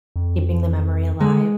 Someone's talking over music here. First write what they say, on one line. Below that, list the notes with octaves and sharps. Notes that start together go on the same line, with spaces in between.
keeping the memory alive,
F2
D3 G#3